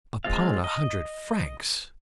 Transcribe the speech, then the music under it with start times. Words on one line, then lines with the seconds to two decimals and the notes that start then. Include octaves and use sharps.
"Upon a hundred francs!"
0.24 G#3 C4 F4 F5
0.64 D#5